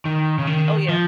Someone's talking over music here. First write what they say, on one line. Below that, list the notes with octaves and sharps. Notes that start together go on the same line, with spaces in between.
Oh, yeah.
D#3
C#3
D#3
F3